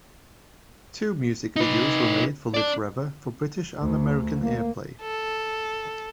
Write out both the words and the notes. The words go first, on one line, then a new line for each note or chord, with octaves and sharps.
Two music videos were made for "Live Forever" for British and American airplay.
D#4 B4
D4 D5
D2
A#3
A4